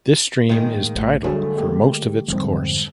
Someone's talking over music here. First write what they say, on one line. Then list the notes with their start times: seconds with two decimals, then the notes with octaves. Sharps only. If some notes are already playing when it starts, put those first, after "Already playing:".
This stream is tidal for most of its course.
0.49 A2 D#3 G#3 A#3
0.95 A#1 A3
1.24 D3 F#3 G3 A3 D4 G#4
1.55 G#3 A#3 G4
2.28 F2 G#2 D3 G3 C4